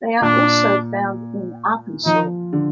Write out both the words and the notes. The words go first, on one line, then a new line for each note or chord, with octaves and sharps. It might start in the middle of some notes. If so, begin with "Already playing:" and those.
They are also found in Arkansas.
A#2 D4
F3 D#4
D3